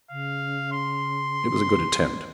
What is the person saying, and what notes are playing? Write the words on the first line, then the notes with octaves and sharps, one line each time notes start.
It was a good attempt.
C#3 F5
C6